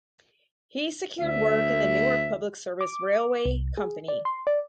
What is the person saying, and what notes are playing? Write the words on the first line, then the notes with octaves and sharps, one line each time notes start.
He secured work in the Newark Public Service Railway Company.
D2 E5
D6
C2
G#4
D5
C6
D5